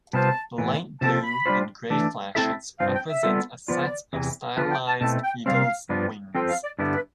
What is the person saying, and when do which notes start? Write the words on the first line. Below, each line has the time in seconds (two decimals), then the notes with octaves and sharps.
The light blue and grey flashes represent a set of stylised eagle's wings.
0.13 C3 G3 B3 F4 C5 A5
0.58 A2 E3 B3
1.01 C3 F3 C4 F4 A4 A5
1.24 B5
1.46 G3 D4 F4 C5
1.90 E3 A3 D4 A4
2.35 A3 C4 E4 A4 E5 A5
2.79 G2 F3 C4 F5
2.94 G5
3.10 E5
3.23 G3 B3 F4 A4
3.68 F3 B3 F4 D5
4.13 E2 C3 E3
4.56 D3 F3 B3 F4 B4
4.71 G5
4.87 A5
5.01 B2 A3 C4 E4 A5
5.24 G5
5.46 C3 G3 C4 F5
5.89 G2 F3 B3 D4 F4
6.34 F3 C4 F4 A4 C5 G5
6.49 F5
6.64 D5
6.79 G2 D3 G3 B3 E4
6.94 B4